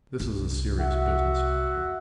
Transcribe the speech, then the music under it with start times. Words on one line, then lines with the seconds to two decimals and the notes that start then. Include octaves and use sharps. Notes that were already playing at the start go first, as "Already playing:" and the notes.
"This is a serious business, Doctor."
0.20 C2
0.79 F#4 E5 F#5